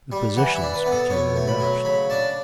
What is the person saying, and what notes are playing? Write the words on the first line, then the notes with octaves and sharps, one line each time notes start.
The positions became reversed.
G3
E3 F#5
E5
D4
B4
B3
A4
B2 C#5
A3
B5
F#3
C#3 B5
D4 A5